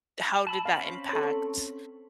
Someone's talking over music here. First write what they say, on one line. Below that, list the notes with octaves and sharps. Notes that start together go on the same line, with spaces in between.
how did that impact
A5 B5 E6
C4 C#4 F5 B5
A4 C#5